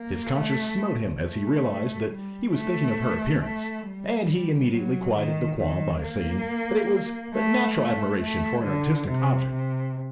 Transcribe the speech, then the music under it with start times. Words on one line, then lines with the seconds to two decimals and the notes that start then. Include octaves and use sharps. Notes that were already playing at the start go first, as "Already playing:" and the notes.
His conscience smote him as he realized that he was thinking of her appearance, and he immediately quieted the qualm by saying that it was but natural admiration for an artistic object.
Already playing: A#3
0.37 A3
1.24 A3
2.10 G3
2.54 A3
3.42 A3
3.86 G3
4.72 F#3
5.16 D#3
5.59 D#3
6.02 A#3
7.34 A3
7.76 A3
8.21 A3
8.64 D3
9.07 C3
9.51 C3